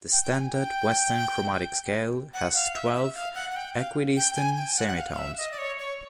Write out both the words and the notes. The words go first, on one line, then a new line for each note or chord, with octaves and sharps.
The standard Western chromatic scale has twelve equidistant semitones.
G5
G5
G#5
G5
F#5
F5
E5
E5
F5
F#5
F#5
G5
F5
G5
G#5
G5
F#5
F#5
F5
F5
E5
D#5
D5
C#5
C#5